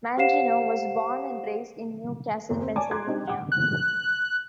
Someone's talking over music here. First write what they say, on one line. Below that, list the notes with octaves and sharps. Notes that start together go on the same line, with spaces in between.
Mangino was born and raised in New Castle, Pennsylvania.
G4 C5 F5 F#5 C7 E7
F#1 D#2
C4
C#5 D5 G#5 A5 D6
A#5 C6 D6 F#6 G#6
C4 D4 D#4 G4
F#5 G5 D6
F#6